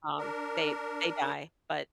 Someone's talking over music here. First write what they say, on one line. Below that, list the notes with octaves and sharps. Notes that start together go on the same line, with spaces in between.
um, they they die, but
D4 A#4